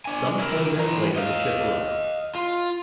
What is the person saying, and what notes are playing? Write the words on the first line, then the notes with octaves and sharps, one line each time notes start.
Some twenty minutes later the ship arrived.
D4 G#5
E4 A#4
E3 A#5
D#5 F5
F4